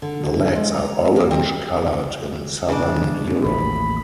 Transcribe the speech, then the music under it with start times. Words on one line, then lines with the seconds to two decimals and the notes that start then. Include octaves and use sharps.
The legs are orange colored in southern Europe.
0.02 D3
0.55 G#3
0.74 A#5
1.16 A#3
1.31 C4
2.68 C#3 D4
3.44 A1 D#2 B5